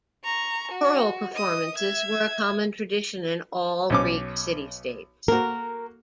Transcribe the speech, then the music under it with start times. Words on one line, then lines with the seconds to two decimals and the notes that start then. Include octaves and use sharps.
Choral performances were a common tradition in all Greek city-states.
0.24 A#5 C#6
0.72 F#4
1.34 D#5 D#6
1.77 E5 G#6
3.90 B1 C#4 D6
5.28 A#3 F#4 A#4